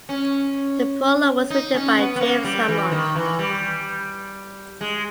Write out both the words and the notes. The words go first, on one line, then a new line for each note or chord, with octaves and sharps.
The prologue was written by James Hammond.
C#4
D#4
C#4
B3
B3
A#3
G3
E3
D#3
E3
G3
G#3